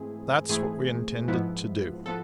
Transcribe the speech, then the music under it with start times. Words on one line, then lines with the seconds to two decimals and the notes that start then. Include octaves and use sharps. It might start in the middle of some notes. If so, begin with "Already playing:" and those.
That's what we intended to do.
Already playing: G#2 E3 A3 C4 E4 G#4
0.49 G#2 E3 A3 C4 E4 G#4
1.28 G#2 F3 B3 E4
2.06 F3 B3 A4